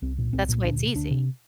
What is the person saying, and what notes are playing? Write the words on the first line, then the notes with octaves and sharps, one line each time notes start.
that's why it's easy.
C2 C4
A#2
C2 C4
A#2
D2 D4
C3
D2 D4
C3